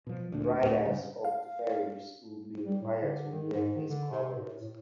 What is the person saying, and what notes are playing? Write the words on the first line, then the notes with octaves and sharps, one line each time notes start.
Riders of the ferries will be required to wear face coverings.
B2 F3
D2 A#2 D4
D1 D2 A2
G2 C#3
F5
G3
A2
D3
D#3
G#2
D#3
D3
C3
A2
A2